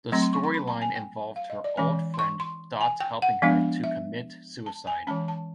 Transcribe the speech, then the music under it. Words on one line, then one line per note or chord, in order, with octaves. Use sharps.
The storyline involved her old friend Dot helping her to commit suicide.
F#3 A3 C4 C6
C6
C#6
C6
B5
A5
G#5
G5
F5
D#5
D5
E3 G#3 C#4 G#5
C6
C#6
C6
G#5
G5
F#5
F3 G#3 B3 D4 F5
E5
A5
G#5
E3 G#3 C#4 A5
A5